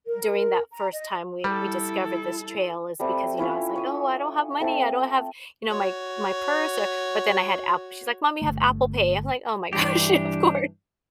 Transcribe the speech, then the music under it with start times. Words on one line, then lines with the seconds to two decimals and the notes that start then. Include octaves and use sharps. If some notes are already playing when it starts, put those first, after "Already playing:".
during that first time we we discovered this trail is because, you know, it's, like, "Oh, I don't have money, I don't have" you know, "my my purse, or" but, then I had App she's like, "Mom, you have Apple Pay." I'm like, "Oh my gosh, of course."
0.06 A#4
0.72 A#5
0.93 D#5
1.44 G3 E4 A4
3.00 G3 A3 C4
3.38 C#4 E4 F4 C#5
3.75 C#5 D#6
4.60 A3 C4 A5
5.67 F#4 C#5
8.42 G1 D3 A3
9.73 G2 E3 D4 G4